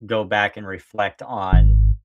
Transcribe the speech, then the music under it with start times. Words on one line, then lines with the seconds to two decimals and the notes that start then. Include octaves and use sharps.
go back and reflect on,
1.53 G#1